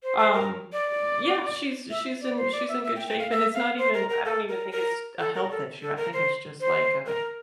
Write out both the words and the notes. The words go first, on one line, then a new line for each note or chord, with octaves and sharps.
Um, ye yeah, she's she's in she's in good shape and it's not even, I don't even think it's a health issue, I think it's just like uh,
C5
C5
A#4
D5
E5
D5
C5
D5
E5
E5
G5
G5
F5
E5
F5
C5
A#4
A#4
A4
A#4
A#4
A4
A#4
A4
A4
A#4
C5
C5
A#4